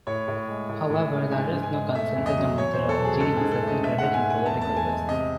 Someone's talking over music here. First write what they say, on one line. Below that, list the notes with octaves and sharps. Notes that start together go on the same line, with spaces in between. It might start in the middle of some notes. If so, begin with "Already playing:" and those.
However, there is no consensus on methodology in assessing credit and political risks.
A2 C#5
A2
G#3
A2
A2
G#3
G#2 G#5
G#2
G#5
G#3
A3 E5
E2
D#5
F#3
E2 C#5
E2 C5
A4
F#3
G#4
G#2 A4
G#2 G#4
A4
A3
D#5
G#2 E5
F#5
G#2
G#5
A3
G#5
E2 A5
E2 A5
G#5
G#3
C3 D#5